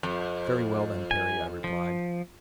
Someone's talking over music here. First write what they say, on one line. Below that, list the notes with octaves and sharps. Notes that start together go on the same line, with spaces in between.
"Very well then, Perry." I replied.
F2
G#5
F3